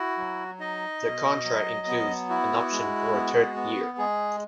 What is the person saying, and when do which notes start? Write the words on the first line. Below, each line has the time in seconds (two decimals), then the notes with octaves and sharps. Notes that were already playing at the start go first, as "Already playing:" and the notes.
The contract includes an option for a third year.
Already playing: E4 F#4
0.18 F#3
0.60 D#4 D#5
1.02 B2
1.45 F#3
1.87 B3
2.29 E4 F#4
2.71 G#3
3.14 B3
3.56 B3
3.98 G#3 G#4